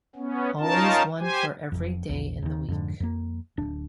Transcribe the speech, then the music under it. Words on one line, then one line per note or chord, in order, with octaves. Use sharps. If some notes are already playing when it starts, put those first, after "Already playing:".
Always one for every day in the week.
B3 C#4
C#4 D#4 F4 A#4 A5
G4 C5 G#5
F1 F2
A#1 E2
D#2 D#3
F2 G#2 D3
F2 A#3
D1 D4